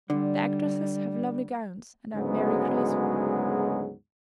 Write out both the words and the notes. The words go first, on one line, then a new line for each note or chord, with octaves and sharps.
The actresses have lovely gowns, and are very graceful.
D3 G3
D2 G#2 C#3 F#3 G#3 B3